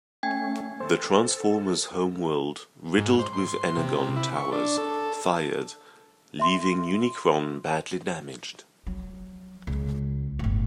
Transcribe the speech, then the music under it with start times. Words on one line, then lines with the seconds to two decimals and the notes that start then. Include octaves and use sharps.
The Transformers' homeworld riddled with Energon towers, fired, leaving Unicron badly damaged.
0.23 A3 C#4 G5 G#5 G#6
0.80 A4 C5
2.98 G#2
3.19 C5
3.33 C6
3.48 C6
3.77 C3
4.16 E4
4.36 C#6
4.52 D4
4.78 A4
6.39 E5 C6
8.87 F#3
9.67 C#2
10.39 G1 A2